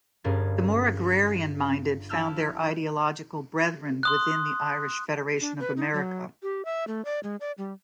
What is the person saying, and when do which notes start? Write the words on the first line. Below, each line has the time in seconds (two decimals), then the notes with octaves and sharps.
The more agrarian-minded found their ideological brethren within the Irish Federation of America.
0.24 G1 G2 C#4 G#4 A#4 A6
2.09 F3 E4 A5 E6 F6 G6
4.03 C6 D#6 F#6
5.41 D4
5.60 B4
5.77 D#4
5.93 F#3
6.43 G4
6.65 E5
6.88 A3
7.05 D5
7.23 G#3
7.41 D5
7.58 G3